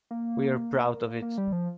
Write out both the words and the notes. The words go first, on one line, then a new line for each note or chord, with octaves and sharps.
We're proud of it.
A#3
A#3
G3
F3